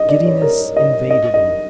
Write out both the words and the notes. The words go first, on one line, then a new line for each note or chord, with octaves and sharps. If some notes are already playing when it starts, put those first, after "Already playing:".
Giddiness invaded him.
Already playing: D#5
D5
C#5
A#4
D#5
D#5
D#5